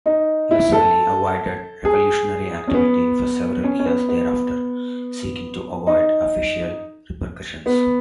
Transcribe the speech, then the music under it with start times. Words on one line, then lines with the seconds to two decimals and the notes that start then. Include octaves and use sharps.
Lassalle avoided revolutionary activity for several years thereafter, seeking to avoid official repercussions.
0.06 D#4
0.51 E4
0.73 A4
1.85 G#4
2.68 C#4
2.74 B3
3.64 C#4
3.79 C#4
3.85 B3
4.09 B3
5.87 D#4
7.66 B3